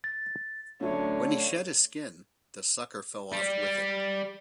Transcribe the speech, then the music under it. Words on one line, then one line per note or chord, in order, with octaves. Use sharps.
When he shed his skin, the sucker fell off with it.
A6
D3 F#3 A3 C#4 C#5
G3